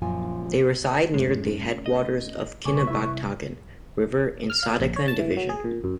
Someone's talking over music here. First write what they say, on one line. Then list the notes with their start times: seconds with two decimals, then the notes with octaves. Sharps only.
They reside near the headwaters of Kinabatangan River, in Sandakan Division.
0.02 F#2 A#2 F3 F4 G#5
1.14 F#2 A2 G#3 A3 C#4
1.86 D#5
2.65 C2 B4 G#5 C#6 D6
2.87 E4 E5
4.50 F6
4.63 F5
4.80 A#1
4.96 C#5
5.08 A5
5.19 E3
5.37 F#3
5.49 G#4
5.64 A#2
5.84 F#2